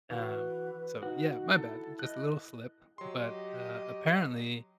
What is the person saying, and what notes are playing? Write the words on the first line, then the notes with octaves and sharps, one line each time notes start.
Um, so, yeah, my bad, just a little slip, but, uh, apparently,
E3 F#4 B4
D#4 F#4
E4 A4
D#5 F#6
F#3 G4 D#5 C6